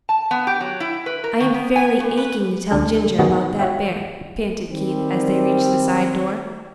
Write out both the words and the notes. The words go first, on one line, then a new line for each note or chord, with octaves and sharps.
"I am fairly aching to tell Ginger about that bear," panted Keith, as they reached the side door.
A5
B3
G4
F#3
E4
B4
A#4
D#3
B3
G#5
G2
B4
D2 D4 A4
D#3 F#3 B3 F#4 G#4
F#4 C#5 E5 G5
D#3 G3 C4